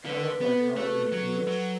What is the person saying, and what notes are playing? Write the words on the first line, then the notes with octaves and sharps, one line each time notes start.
kind of like how they've aged,
D3 B4
B4
B3 B4
A4
A3 F#4
F#3
F#3